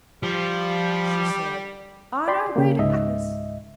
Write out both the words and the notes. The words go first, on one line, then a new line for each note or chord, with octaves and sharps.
She said, 'On our way to Aklis.'
F3 G3
D5 G5 B5 C6
C#3 A#3
C#2 G#2 D#5 E5